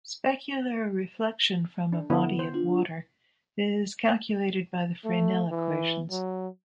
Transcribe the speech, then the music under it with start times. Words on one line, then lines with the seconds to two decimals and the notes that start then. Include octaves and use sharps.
Specular reflection from a body of water is calculated by the Fresnel equations.
1.93 D4
2.10 D3 B3 E4
2.39 C5
2.54 D4 F4
5.05 A3
5.51 E3
6.11 F#3